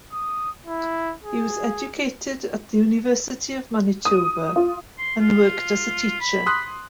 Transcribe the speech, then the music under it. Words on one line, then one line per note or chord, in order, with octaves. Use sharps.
He was educated at the University of Manitoba, and worked as a teacher.
D#6
E4
G#4
D#6
F4
C6
F4
B5
C6 D#6 F#6